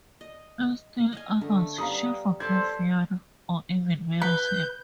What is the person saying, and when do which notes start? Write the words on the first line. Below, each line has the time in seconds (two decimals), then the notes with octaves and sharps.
In still others she forgives Fionn, or even marries him.
0.21 D#5
1.13 D#5 F5 G#5
1.41 D3 A3
1.78 G3 B3 F5 A#5 D#6
2.40 A4 B4 C5 D5 A5 G#6
4.22 B4 G6